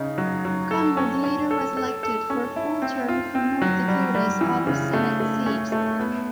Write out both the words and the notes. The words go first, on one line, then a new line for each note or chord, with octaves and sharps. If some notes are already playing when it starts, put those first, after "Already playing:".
Conrad later was elected for a full term from North Dakota's other Senate seat.
Already playing: C#3 D#4
F#3
F#3
A4
C#4
C#4
A4
A4
A4
C#4
E4
C4
F4
C4
F#3
G3
G3
E3
C#3
A3
A3
C#4
A3
B3